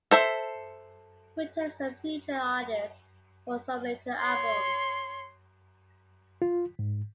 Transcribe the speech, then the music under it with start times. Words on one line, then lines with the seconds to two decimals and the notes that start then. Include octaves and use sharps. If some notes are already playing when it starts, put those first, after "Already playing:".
He returned as a featured artist for some later albums.
0.11 A4 C5 E5
4.20 C#5 C6
6.42 F4
6.79 G#2